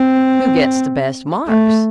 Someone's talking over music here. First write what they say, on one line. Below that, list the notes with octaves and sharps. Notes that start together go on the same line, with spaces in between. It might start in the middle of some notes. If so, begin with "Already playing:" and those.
"Who gets the best marks?"
Already playing: C4
A3